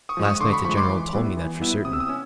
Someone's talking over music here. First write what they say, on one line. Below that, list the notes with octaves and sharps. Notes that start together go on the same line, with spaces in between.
Last night the General told me that for certain.
C#6 D#6
F3 G#3
C#6 D#6
D3 C6 D6
B5 C#6
F3 G#3 B5 C#6
C6 D6
E3
G3 B3 E4
E3
G3 B3 E4
C3 D#6
E6
D#6
C#4 E6